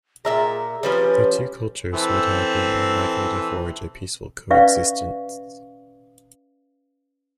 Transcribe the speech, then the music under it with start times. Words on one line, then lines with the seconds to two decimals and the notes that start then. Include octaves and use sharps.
The two cultures would have been unlikely to forge a peaceful co-existence.
0.25 A#2 G#4 E5 A#5
0.83 F3 G3 C#4 B4
1.93 E3 C4 A4
4.51 C#4 B4 D5 E5 F5 C#6